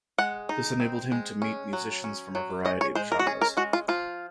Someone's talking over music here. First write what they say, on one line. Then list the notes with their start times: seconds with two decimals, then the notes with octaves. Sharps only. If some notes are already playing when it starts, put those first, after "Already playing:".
This enabled him to meet musicians from a variety of genres.
0.18 G#3 F#5
0.49 D#4
0.80 C4
1.12 G#3
1.42 C#4
1.73 F#3
2.04 C#4
2.35 F#3
2.65 C#4 D#5
2.81 C#5
2.95 G#3 C5
3.12 A#4
3.19 F#4
3.26 C#4 G#4
3.42 A#4
3.57 G#3 F#4
3.73 F4
3.88 F3 F4